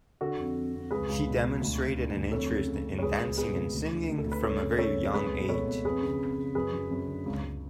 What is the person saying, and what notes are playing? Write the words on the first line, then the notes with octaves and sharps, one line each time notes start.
She demonstrated an interest in dancing and singing from a very young age.
D3 F#4 A4
F2
F2
F2
C#2 G#4 B4
C#2
B2
B2
D2
D3
D3
D2
F2 A4 C#5
C#3
C#3
C#3
C#5
C#2 G#4 B4
C#2
B2 G#4 B4
C#2
D2
D3
D2
A4
D2
B4
C#3 A4 C#5
C#3
C#3 A4 C#5
F2
C#2 G#4 B4
B2
B2 A4 C#5
B2
F2 G#4 B4
C#3
F2
C#3
F#2 G#4 B4
F#2
F#2
D3
C#2
C#2